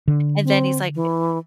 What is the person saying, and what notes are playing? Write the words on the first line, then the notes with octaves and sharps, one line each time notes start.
And then he's like eh
D3
C4
E3